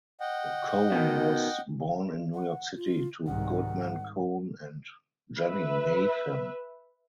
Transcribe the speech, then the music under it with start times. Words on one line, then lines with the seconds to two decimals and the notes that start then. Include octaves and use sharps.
Cohn was born in New York City to Goodman Cohn and Jennie Nathan.
0.20 D#5 F#5 G5
0.92 B2 D#3
2.34 F#5
2.77 F4
3.27 C2 G#2 D#3 F#5
5.39 B4 E5